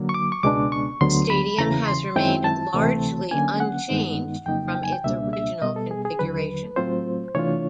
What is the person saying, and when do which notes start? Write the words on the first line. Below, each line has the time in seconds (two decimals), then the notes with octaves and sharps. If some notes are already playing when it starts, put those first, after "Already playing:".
The stadium has remained largely unchanged from its original configuration.
Already playing: D3 F#3 A#3
0.09 C#6
0.14 D6
0.32 C#6
0.43 C#2 B2 G#3 B3 D4 D6
0.72 C#6
1.01 D2 D3 F#3 B3 C6
1.30 B5
1.58 E2 C#3 E3 A#5
1.88 C6
2.16 F#2 D#3 G#3 C4 E4 G5
2.44 A5
2.74 D2 C3 E3 A3 C4
3.31 D3 F#3 A#3 C#4 G#5
3.60 F#5
3.89 G2 D#3 G#3 B3 D#4
4.46 F2 C#3 F#3 A#3 D#4 G5
4.75 G5
4.83 G#5
4.93 G5
5.04 C#2 B2 G3 A#3 D4 E5
5.33 E5
5.61 B2 G3 B3 D#5
5.76 A4
5.91 G#4
6.05 G#4
6.19 D#2 D3 F#3 B4
6.76 A2 F#3 A3 C4 F4 C5
7.35 C3 E3 A3 D4 F4 C#5